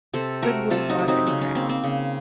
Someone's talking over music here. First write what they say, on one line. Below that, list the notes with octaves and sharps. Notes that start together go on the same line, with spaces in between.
Good wood, water, and grass.
C3 A4 C5
A3 F#4 A#4
C3 F4 A4
D#4 F#4
F#3
C4 D#4
C#3 C#4
C#4
A#3 C4
C4
C#3